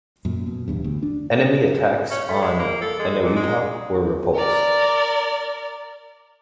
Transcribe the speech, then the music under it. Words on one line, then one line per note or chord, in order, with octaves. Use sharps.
Enemy attacks on Eniwetok were repulsed.
F#2 A#2
B2
D1 E2 G2
D2
D4
C#4
A3
G#3
A#3
A4
G#3
A#2
G#3
A#4 D5